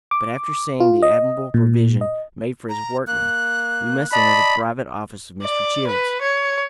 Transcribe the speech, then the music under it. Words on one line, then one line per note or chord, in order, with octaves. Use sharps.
But after seeing the admirable provision made for his workmen, we must enter the private office of Mr. Childs.
D6
F4
D#5
A#2
D#5
A#5
A#3 F#6
D5 D#5 A5 B5
D5
B4
C#5